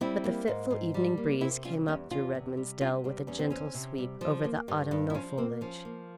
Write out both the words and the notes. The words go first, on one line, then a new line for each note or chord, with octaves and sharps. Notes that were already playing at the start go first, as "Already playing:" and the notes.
But the fitful evening breeze came up through Redman's Dell, with a gentle sweep over the autumnal foliage.
G3 C4 E4
A#3
G#2
G#2
G3
A#3
C3 C4 E4
G3 C#4 F4
E2 C#4
E2 C#4 F4
C3
G3
C3 C#4 F4
G3 C4
E2 C#4
C4
C4 C#4
C3
G3
F3
A#3
G2
G2
E4
F3 C#4
A#3 C4
F3 C#4
A#3